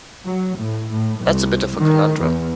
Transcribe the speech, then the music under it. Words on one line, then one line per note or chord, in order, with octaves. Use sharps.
That's a bit of a conundrum!
F#3
A2
A2
C2
D#3
E2